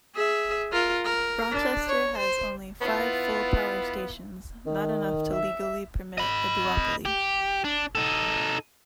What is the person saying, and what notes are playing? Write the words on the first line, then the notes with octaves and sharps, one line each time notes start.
Rochester has only five full-power stations-not enough to legally permit a duopoly.
G#4 E5
F4 A#4
A#4
D4
C#5
C5
B3 E4 F4
D#3
E5
D#5 B5
G4
D4
D#4 A4